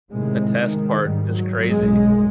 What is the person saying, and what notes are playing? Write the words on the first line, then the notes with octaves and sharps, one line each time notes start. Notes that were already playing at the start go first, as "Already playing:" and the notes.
The test part is crazy,
A2 C3 D#3 G#3
D#3
G#2 G3
F#3
B1 F#2 G#3